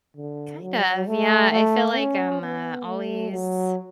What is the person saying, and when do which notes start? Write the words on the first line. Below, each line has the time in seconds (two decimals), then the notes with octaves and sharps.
Kind of, yeah. I feel like I'm, uh, always,
0.17 D3
0.62 F#3
1.07 A3
1.52 A3
1.97 C#4
2.42 B3
2.86 A3
3.31 F#3